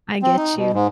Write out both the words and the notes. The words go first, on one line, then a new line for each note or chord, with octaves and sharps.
I get you.
C4
D#4
B2
G#2